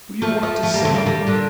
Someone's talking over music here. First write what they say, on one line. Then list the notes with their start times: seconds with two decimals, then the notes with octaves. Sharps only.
"Do you want to sell?"
0.22 F3 A3
0.43 F3 A3
0.63 F3 A3
0.74 G3 A#3
0.85 A3 C4
0.95 G3 A#3
1.06 G3 A#3
1.27 A#2 D3